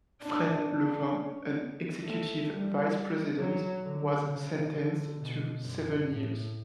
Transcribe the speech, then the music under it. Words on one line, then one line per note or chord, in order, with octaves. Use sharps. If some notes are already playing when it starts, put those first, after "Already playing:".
Fred Levin, an executive vice president, was sentenced to seven years.
D4
D4
C#4
B3
A3
G3
F#3
D3
C#3
D3
B2
F#2
A2